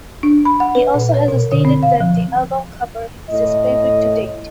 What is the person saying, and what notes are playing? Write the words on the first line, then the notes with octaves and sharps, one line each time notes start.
He also has stated that the album cover is his favorite to date.
D4
B5
F#5
B4
A#2
C#5
B2
D3
C4
F5
F3
A2 D#5